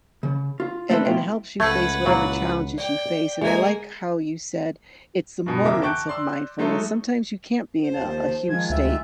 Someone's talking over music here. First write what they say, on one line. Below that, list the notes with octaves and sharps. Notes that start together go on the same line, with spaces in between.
and and helps you face whatever challenges you face, and I like how you said, "It's the moments of mindfulness." Sometimes you can't be in a a huge state
C#3
F4
A3 B3 C4 A4 B4 C5
B1 B2 E4 F4 G5
C#2 A3 B4 F#5 G#6
A#2 F#3 A#3 E4
D5 G5
D2 G#3 A#3 G#4 G#5
G2 B2
E2 C#3 A#4 E5 D6 A#6
G5 A5 C#6 F#6 G6 D7
D5 C6 E6
F#3 G#3 A3 D#4 A4
C5
D#2 F3 A5
D#3 F3 G#3 F4 G#6
D2 E5